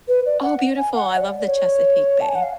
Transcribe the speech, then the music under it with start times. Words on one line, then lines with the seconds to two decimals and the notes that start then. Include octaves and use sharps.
Oh, beautiful. I love the Chesapeake Bay.
0.08 B4
0.26 D5
0.43 F#5
0.78 G#5
0.95 F#5
1.17 C#5
1.21 D5
1.46 C#5
2.21 A5
2.28 G#5
2.35 F#5
2.43 F5